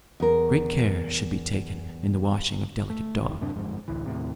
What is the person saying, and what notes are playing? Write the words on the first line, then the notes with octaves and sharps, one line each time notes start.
Great care should be taken in the washing of delicate dogs.
E2 A#4
A3
F#1 D#3
D1 F#2 C3 D4
G1 F2 G#2
D1 A1 D2 E3
D#2 A2 C3